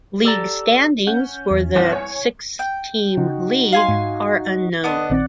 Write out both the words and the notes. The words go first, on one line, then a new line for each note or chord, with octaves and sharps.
League standings for the six–team league are unknown.
G4 A4 D5 A#5
C#4 F#5 G6
E2
G1 C2 F#5
C#5 G#5
G5
C#3 D#4 F#4
F5 G#5 C6
G#2
B3 D4 D#5
A#1 D#3 C4 D5 F#5